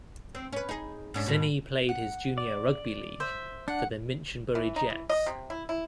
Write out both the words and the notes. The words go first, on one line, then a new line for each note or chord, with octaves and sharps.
Cini played his junior rugby league for the Minchinbury Jets.
C4
C#4 B4
D#4 G#4
G#2 C#4 D4
G#2 B2
F#5
D5
C5 E5
D4 F#5
E3
D#4
E3
D#5
C3
E4
E4